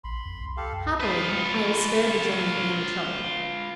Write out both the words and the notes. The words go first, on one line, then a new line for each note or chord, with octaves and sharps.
Happily, I was spared the journey and the trouble.
A#1 B5 C6
F2
C2
G4 A4 F5
F#2
F4 B4